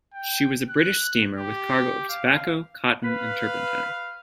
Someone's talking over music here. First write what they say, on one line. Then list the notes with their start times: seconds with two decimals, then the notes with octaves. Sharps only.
She was a British steamer with cargo of tobacco, cotton, and turpentine.
0.14 G5
0.69 F#6
1.36 G4
2.09 F5
3.03 B4 F5 B5